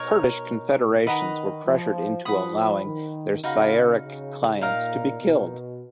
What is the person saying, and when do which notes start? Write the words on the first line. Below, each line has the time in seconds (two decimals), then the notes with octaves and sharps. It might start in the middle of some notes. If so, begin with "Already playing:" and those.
Kurdish confederations were pressured into allowing their Syriac clients to be killed.
Already playing: B2 D#4 A#4 C#5
1.07 D#3 B4 D#5 F#5 A#5
1.66 F3
2.25 F3 B4 F#5 B5 D#6
2.84 D#3
3.43 C#3 D#4 F#4 B4 F5
4.03 C#3
4.61 A#2 D#4 A#4 F5
5.21 B2